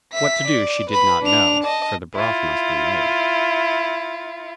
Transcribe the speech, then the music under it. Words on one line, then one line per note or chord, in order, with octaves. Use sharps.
What to do she did not know, for the broth must be made.
E5 B6
D5
B4 B5
D4 F7
D#5 A5
E4 F4